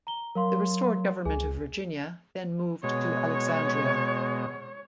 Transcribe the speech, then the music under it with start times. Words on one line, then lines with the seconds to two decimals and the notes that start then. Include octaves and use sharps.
The Restored Government of Virginia then moved to Alexandria.
0.07 A#5 G7
0.35 F#3 A#4 F5 C6
1.25 C#2 G#4 G#5
2.83 B2 G#3 C#5